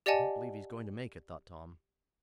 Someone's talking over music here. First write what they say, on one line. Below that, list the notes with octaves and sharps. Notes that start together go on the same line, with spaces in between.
"I don't believe he's going to make it," thought Tom.
G4 D5 D#5 F#5 G#5 A5